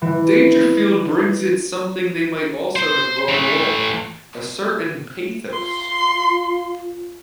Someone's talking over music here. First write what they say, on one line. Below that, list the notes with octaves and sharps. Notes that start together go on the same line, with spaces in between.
Dangerfield brings it something they might also have brought along: a certain pathos.
E3
C5
E3 A3
F4 C6